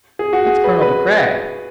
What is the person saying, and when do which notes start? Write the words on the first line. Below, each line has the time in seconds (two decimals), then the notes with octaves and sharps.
"It's Colonel De Craye."
0.19 G#4
0.33 F#4
0.47 G#4
0.64 B4
0.82 B4